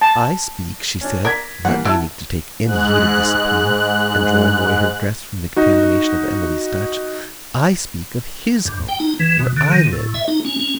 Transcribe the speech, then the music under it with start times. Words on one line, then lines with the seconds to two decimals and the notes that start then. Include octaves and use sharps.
'I speak,' she said, not deigning to take any heed of this appeal, and drawing away her dress from the contamination of Emily's touch, 'I speak of HIS home--where I live.
0.01 A5
1.01 C#4 D4
1.25 A#4 D5 G#6 B6
1.65 E3 G3 A#3 F#5
1.85 E4 E5 F#5 A5
2.63 G#2 F#6
5.56 D#4 F#4
8.65 G2
8.88 G5
9.00 D#4
9.19 E3
9.39 B2
9.56 D3
9.72 D#3
9.92 A2
10.14 E5
10.28 D#4
10.45 C#4
10.59 C#4